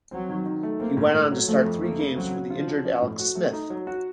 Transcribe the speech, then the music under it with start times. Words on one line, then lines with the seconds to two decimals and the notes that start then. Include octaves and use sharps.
He went on to start three games for the injured Alex Smith.
0.11 F#3 C4
0.29 D#3
0.46 D#3
0.63 A3
0.79 A#3 C4
0.97 A2
1.14 A2
1.31 F#3
1.48 F3 A3
1.65 F2
1.83 A3 A#3
1.99 C#3
2.16 F#3 C4
2.33 C#3
2.50 F3 F4
2.68 F#3
2.85 C#4
3.02 A2
3.19 F#4
3.35 A3
3.53 D#4
3.70 F#3
3.87 F#4